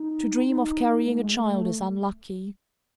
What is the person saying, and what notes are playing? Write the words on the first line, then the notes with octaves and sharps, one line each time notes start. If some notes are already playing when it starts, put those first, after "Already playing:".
To dream of carrying a child is unlucky.
Already playing: D#4
D#4
A3
G#3
A3